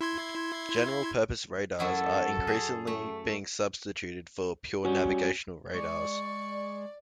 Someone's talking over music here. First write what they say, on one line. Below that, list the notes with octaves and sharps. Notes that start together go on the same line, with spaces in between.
General purpose radars are increasingly being substituted for pure navigational radars.
E4 C6 G#6
F#2 F#3 E4 A4
G#4
A3
G3 C#4 F#4
G#3 D5 C#6